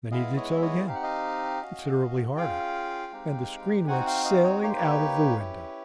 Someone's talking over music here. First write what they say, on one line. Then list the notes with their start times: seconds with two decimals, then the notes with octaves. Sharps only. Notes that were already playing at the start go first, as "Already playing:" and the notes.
Then he did so again, considerably harder, and the screen went sailing out of the window.
0.11 G#3 B3 E4 G#4 D#5 F5
0.37 C#5 D#5
0.56 E5
0.62 C#5 D#5
0.87 C4 D#4 G4 F5
0.95 F#5
1.03 D#5 F5
1.62 C#4 F#4
2.37 C#4 F4 G#4 F5 G5
3.12 G#3 C4 D#4 G4
3.87 C4 D#4 F#4 F#5 G#5
4.01 F#5
4.06 F5 G5
4.25 D#5 F5
4.44 C#5 D#5
4.63 A#3 D#4 G4 C#5
4.70 C5
4.77 B4 C#5
5.38 C#4 E4 G4